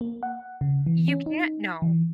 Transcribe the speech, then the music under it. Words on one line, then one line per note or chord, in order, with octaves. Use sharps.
you can't know.
A#3
F#5
C#3
E3
C#4
D#4
E3